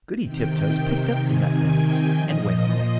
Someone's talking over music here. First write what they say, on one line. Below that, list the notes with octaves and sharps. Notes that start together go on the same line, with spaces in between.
Goody Tiptoes picked up the nut bags and went home.
C3 D#3 G5
C3 D#3 G#5
G5
A#2 F3 D#5